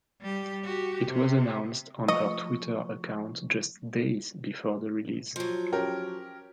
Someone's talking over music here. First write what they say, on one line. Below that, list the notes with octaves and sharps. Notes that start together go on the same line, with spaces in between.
It was announced on her Twitter account just days before the release.
G3 G4
F#4 G4
C3
F3 A3 D#5 C#6
F3 F#3
C#4 G4 A#4